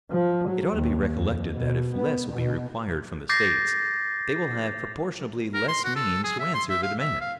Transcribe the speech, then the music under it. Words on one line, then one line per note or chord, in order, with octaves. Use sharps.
It ought to be recollected that if less will be required from the States, they will have proportionably less means to answer the demand.
F3
F#3
D#2
F2
B2
B3
B2
D6 G6 A6 A#6 C7
A#4
C6
F#4
A4
G#4
E5
C6
E5
F5
E5
F5